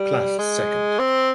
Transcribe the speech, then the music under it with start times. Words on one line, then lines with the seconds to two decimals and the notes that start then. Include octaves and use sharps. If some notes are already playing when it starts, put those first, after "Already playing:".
Class Second.
Already playing: G3
0.39 G#3
0.99 C4